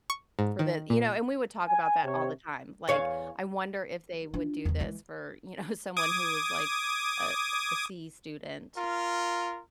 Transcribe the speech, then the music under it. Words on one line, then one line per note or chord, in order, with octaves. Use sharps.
for the" you know, and we would talk about that all the time, like, I wonder if they would do this for, you know, someone who was, like, uh, a C student
C#6
G#2
D#3
A#2
G#5
C3 C#5
E2 C#5 F5
D4 F4
E2 D#3
E3 G#3
D6 D#6 G#6
F4 A#4